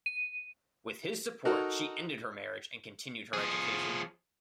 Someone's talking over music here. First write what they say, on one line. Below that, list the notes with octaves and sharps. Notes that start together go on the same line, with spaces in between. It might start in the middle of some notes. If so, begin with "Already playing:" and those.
With his support she ended her marriage and continued her education.
D#7
D#4 F#4 A4 A#4
F3 G#4